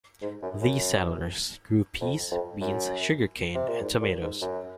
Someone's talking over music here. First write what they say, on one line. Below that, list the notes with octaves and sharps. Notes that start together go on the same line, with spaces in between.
These settlers grew peas, beans, sugar cane, and tomatoes.
G#2
F#2
F#2
F2
F2
F#2
C3
A#2
G#2
A#2
G#2
F#2